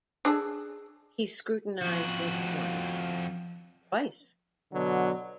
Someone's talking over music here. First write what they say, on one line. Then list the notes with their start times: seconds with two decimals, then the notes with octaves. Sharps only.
He scrutinised it once, twice.
0.25 D4 G#4 A4
1.82 F2 F#4
4.73 B2 D3 F#3